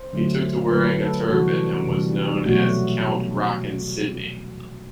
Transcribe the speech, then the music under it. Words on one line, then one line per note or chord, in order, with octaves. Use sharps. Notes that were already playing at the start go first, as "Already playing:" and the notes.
He took to wearing a turban and was known as "Count Rockin' Sidney".
Already playing: C5
D3 F#3 A3
D3 F#3 A3 B4
A4
C3 E3 G3 F#4
C3 E3 G3
B2 F#3 A3 F#4